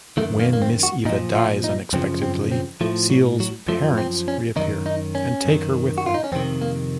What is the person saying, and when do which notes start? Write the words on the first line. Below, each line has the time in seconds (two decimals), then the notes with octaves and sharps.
When Miss Eva dies unexpectedly, Ciel's parents reappear, and take her with them.
0.17 F#2 D#3 A3
0.40 A#3
0.53 A#3
0.62 C4
0.83 F#4
1.05 A#2 F3 D#4
1.35 F4
1.64 D#4
1.93 F#2 C#3 F3 C4
2.22 C4
2.51 C4
2.81 A2 F3 A3
3.10 F#3
3.40 F#3
3.69 F#2 F3 A3
3.98 C4
4.28 C#4
4.56 F#2 D#3 D#4
4.86 D#4
5.15 C#4
5.45 F#2 D#3
5.98 F#4
6.06 F4
6.14 D#4
6.24 C#4
6.32 F2 C3 D#3 C4
6.61 A#3